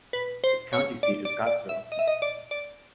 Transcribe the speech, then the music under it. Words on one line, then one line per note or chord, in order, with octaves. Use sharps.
Its county seat is Scottsville.
B4
C5
C#5
D5
D5
D5
E5
D#5
E5
D#5
D5
D5